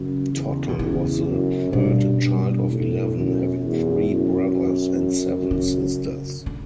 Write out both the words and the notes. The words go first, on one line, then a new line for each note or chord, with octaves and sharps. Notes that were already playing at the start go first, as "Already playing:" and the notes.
Tottel was the third child of eleven, having three brothers and seven sisters.
Already playing: F#2 C#3
E2
B2
E2 C#3
F#2
G2 B2
G2
A2
F#2
E2
F#2
C#3
D3